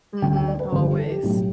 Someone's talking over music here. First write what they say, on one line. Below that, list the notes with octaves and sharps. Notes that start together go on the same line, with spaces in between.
Mhm, always.
D2 D3 G3 G5
G5
D5
B4
G1 G2 D3 G3 B4
G4
A4
G4
B1 A2 G3